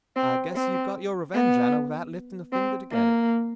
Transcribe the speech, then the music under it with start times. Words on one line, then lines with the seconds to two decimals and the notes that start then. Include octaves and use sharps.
I guess you've got your revenge, Anna, without lifting a finger to get it.
0.16 C4
0.55 C4
1.34 B3
2.52 C4
2.92 A#3